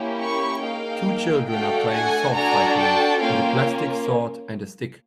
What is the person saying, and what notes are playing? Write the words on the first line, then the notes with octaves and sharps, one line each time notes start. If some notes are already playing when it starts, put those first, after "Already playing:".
Two children are playing sword fighting with a plastic sword and a stick.
Already playing: A#3 C#4 E4 G4
B5 C#6
A#3 D#4 G#4 F5 G5
A3 D4 F#4 A4 F5 G5
F#5 G#5
D4 F#4 A4 G#5 A#5
G5 A5
A#3 C#4 F4 F5 G5